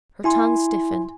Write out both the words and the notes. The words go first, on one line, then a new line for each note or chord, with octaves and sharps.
Her tongue stiffened.
E4 G#5 C6